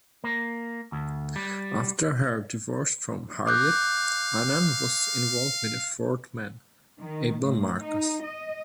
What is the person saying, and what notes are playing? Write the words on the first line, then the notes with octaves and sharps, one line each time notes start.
After her divorce from Harlib, Annan was involved with a fourth man, Able Marcus.
A#3
D2
G3
F5 D6 F#6 G6
D#3
A2
D#4
D#5